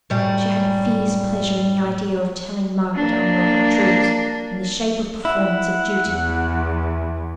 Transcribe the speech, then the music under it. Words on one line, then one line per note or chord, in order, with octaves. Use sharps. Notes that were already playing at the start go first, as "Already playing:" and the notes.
She had a fierce pleasure in the idea of telling Margaret unwelcome truths, in the shape of performance of duty.
F#2 A2 G3
A#3 D4
E4 F#5
E2